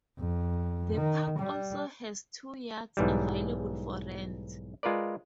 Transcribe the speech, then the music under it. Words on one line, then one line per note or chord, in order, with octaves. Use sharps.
The park also has two yurts available for rent.
F2
D#3
G3
B1 G#2 E3 G3
G#3 F4 A#4 B4 D5